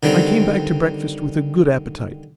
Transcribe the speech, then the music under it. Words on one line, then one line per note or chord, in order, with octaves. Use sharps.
I came back to breakfast with a good appetite.
D3 D#3 G3 C4